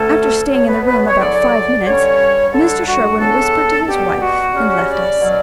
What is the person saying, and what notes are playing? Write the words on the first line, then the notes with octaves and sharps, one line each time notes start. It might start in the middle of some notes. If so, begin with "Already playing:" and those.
After staying in the room about five minutes, Mr. Sherwin whispered to his wife, and left us.
Already playing: D2 D3 A3 C#4 A4
B2 F#3 B3 C#5
B4
B4
C#5
E2 D3 F#3 D5
G2 D3 G3 C#4 C#5
D2 D3 G3 D4 A4
F#4
C#3 E3 B3 D4 A4
B2 G3 B3 G4
F#4
C#3 G3 C#4
D5
B2 F#3 C#4